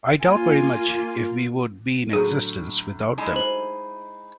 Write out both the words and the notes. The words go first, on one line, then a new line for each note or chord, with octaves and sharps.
I doubt very much if we would be in existence without them.
A#3 F4 G#5
A2 D3 F#3 G#4 D#7
G#3 D#4 E4
C5 F#7